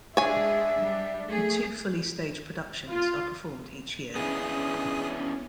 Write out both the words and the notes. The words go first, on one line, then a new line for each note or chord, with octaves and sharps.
Two fully staged productions are performed each year.
G#3 D4 G#4 C#5 E5 G#5
G3 D4
A3 G#4
F4
B3 C#4 D4 E4 G#4 D#6